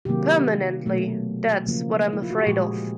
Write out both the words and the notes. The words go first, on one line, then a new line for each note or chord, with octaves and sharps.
Permanently. That’s what I’m afraid of.
C3 D#3 F#3 A#3 G4
B2 F#3 A3
C#3 F3 A#3
E4
F4
F#4
G4
A#2 F3 G#3 G#4